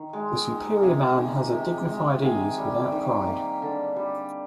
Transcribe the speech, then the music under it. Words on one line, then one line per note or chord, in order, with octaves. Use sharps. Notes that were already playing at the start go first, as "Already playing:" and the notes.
The superior man has a dignified ease without pride.
Already playing: D#3
G#3
D#3
C3 F5 G#5
D#3
C3
G#3
D#3 F5 G#5
G3
D#3
A#3
D3
G3